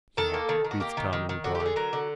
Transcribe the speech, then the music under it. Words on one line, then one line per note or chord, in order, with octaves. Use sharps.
"Yeah," breathed Tom in reply.
D#3 A4
A#3
D#3
D#3
F#4
A#3 G4
D#3
D#3
D#3
D3 F#4
G4
D3
G#4
F#3 A#4
D3